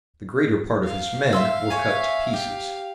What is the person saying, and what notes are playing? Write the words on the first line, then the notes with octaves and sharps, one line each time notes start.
The greater part of his men were cut to pieces.
F5
E5 C6 E6
C#5 E5 G#5
G4